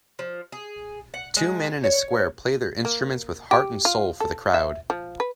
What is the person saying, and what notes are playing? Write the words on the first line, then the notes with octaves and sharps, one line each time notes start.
Two men in a square play their instruments with heart and soul for the crowd.
F3
G#4
F#5
G#3
C#5
A#3
G4
F4
A4
E5
F3
B4